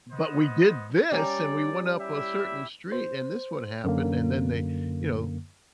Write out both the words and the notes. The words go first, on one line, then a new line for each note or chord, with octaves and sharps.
"But we did this, and we went up a certain street, and this would happen," and then they, you know
B3 C5 D#5
G3 C#4 D5 A#5
E4 G4 E5
C5
F#2 D3 A#3